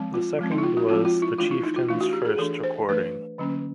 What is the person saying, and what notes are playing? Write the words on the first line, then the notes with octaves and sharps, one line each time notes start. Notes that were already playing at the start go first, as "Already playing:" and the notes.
The second was the Chieftains first recording.
Already playing: F3 G#3 C4
F4
F3 G#3 C4
D#4
E4
F4
F#4
F3 G#3 C4 F4
F4
E4
E3 A3 D4 F4
E4
D#4
F4
E3 A3 D4 E4
F#4
G4
G#4
E3 A3 D4 A4
C5
E3 A3 D4 B4
D3 F#3 A#3 C#4